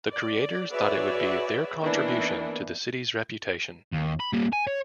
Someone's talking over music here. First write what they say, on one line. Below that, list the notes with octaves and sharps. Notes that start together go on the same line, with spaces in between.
The creators thought it would be their contribution to the city's reputation.
D5
F#4 G#4 B4 C#5 D5 E5
D#3 E3 A#3 B3 D4 E4
D#2
B5
G3 A#3
G#5
C#5